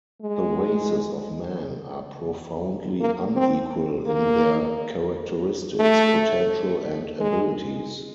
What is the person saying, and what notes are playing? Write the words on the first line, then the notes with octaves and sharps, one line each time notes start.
The races of Man are profoundly unequal in their characteristics, potential and abilities.
G#3
A#3
C4
A#3
A3
G#3